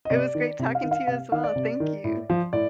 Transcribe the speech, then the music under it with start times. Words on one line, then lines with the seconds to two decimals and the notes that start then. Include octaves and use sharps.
It was great talking to you as well. Thank you.
0.05 D#5
0.10 C3 D5
0.35 D#3
0.59 C3
0.75 F5
0.83 D#3
0.91 F5
1.07 C3 F5
1.32 D#3 F5
1.44 D5
1.56 C3
1.80 D#3
2.04 A2
2.30 F3
2.53 A2 D5